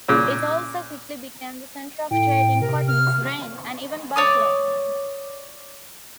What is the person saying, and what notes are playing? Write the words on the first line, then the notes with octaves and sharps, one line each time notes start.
It also quickly became the center of trade in cotton, grain, and even buffalo.
A#2 C#3
A2 G5
C3 A#4
F6
C#5 D5 D#6